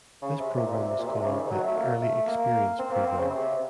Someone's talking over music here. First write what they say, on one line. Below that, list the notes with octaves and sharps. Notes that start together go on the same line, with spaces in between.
This program was called the "Early Experience Program".
C#3
C3
A#2
C3
A#2
C3
C3
C#3
D#3
F#3
A3
A#3
A3
A#3
C4
A#3
C4
C#3
C3